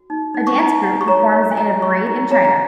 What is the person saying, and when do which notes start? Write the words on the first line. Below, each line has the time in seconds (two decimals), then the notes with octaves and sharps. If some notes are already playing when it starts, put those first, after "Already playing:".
A dance group performs in a parade in china.
Already playing: F#4
0.10 D#4
0.34 D#4
0.47 C#6
0.59 D#4 A#5
0.83 F#4 F#5
1.01 C#6
1.08 C#5 A#5
1.33 C#5
1.51 G#5
1.57 F#4 A#5
1.82 C#5 C#6
2.07 D#4 A#5
2.31 C#5 A#5
2.45 A#5